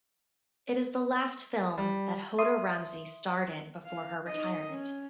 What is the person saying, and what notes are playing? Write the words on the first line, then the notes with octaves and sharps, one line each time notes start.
It is the last film that Hoda Ramzi starred in before her retirement.
G3
E5 C6 D#6 C7 D#7
F5
D#4 D#5
C#4